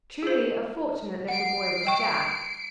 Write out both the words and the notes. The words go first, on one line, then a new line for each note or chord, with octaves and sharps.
Truly a fortunate little boy was Jack!
G#4 C5
F#5 C7 D7
G3 G5 C#6